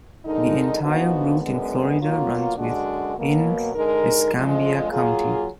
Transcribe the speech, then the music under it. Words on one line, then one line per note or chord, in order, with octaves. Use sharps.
The entire route in Florida runs within Escambia County.
D3 G#3 D#4 A#4
A#2 F3 B3 D#4 F#4
F#2 D3 G#3 B3
B2 F#3 A#3 F4
F#2 D3 G#3 D4 F#4
B2 F#3 A#3
D3 G#3 D#4 A#4
F2 D3 F3 G#3
F#3 A#3 F4 G#4